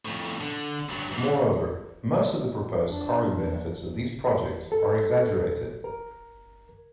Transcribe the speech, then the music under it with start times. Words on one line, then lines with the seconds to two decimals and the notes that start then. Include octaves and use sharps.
Moreover, most of the proposed carbon benefits of these projects are exaggerated.
0.05 F2 A2
0.40 D3
0.89 G2 F#3
1.11 F#2 E3
2.89 D4
4.72 A4
5.84 A#4